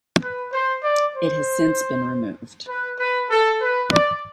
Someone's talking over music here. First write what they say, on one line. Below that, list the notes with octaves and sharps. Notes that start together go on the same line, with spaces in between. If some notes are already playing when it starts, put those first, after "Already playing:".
It has since been removed.
B4
C5
D5
C5
B4
B4
A4
B4
D5